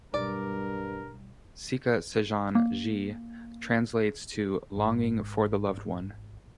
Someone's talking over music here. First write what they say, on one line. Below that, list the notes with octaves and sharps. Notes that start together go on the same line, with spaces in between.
Sika Sajan Jee translates to ‘"Longing for the Loved One"’.
B1 G2 G3 A#4 D5
A#3
G#1 G#2